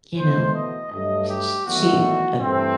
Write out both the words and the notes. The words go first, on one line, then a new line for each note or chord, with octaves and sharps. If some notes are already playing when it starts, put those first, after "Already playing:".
you know, uh, sh sh she a
E2 B2 A3 C5
D#5
G2 F#3 A3 D#5
G4
E2 D#3 F#3 A3 F#4
G2 E3 A3 C4